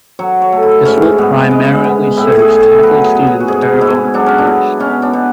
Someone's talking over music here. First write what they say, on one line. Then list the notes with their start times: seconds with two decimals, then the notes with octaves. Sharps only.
The school primarily serves Catholic students of Terrebonne Parish.
0.19 F#3 C#5
0.42 C#5
0.52 A3
0.63 E4
0.85 G#2 C#4
1.18 G#2 B3
1.51 G#3
1.84 B3
2.17 A2 E4
2.39 G#4
2.50 A2
2.60 G#4
2.83 F#3 B4
3.04 G#4
3.15 B3
3.27 G#4
3.40 F#4
3.48 G#2 G#4
3.81 G#2 E4
4.14 F#3 D4
4.26 C#4
4.38 D4
4.47 B3
4.80 B2 C#4
5.02 D4
5.13 B2